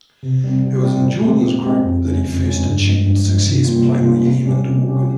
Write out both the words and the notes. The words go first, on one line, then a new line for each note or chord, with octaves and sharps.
It was in Jordan's group that he first achieved success playing the Hammond organ.
C3
G3 C4
C3
G3 C4
A#2
G#3 C4 G4
A#2
G#3 C4 G4
F2
C#3 G#3 C#4
F2
C#3 G#3 C#4
G2
F3 G#3
G2
F3 G#3
C3
G3 A#3 C#4 F4
C3
G3 A#3 C#4 F4
C3
G3 C#4 G4
C3
G3 C#4 G4